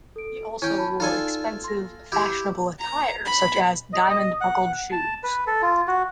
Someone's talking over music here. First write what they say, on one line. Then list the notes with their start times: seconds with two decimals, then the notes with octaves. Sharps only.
He also wore expensive fashionable attire such as "diamond-buckled shoes".
0.16 A4 D7
0.62 C#4 E4 G5
0.78 A5 B5
1.00 D#4 F4 A4 D5 G#5
1.64 C6 A#6
2.12 E4 G4
2.79 A#5
3.25 B5
3.93 D#5
4.10 D#5
4.41 F#5
4.92 A5
5.23 B4
5.47 A4
5.62 F4
5.88 F#4